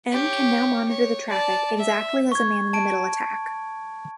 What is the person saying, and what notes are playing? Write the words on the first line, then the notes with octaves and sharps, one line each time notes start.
M can now monitor the traffic, exactly as in a man-in-the-middle attack.
G4 C#5
C#5
D5 A5
E5
C#6 G#6
A5 D7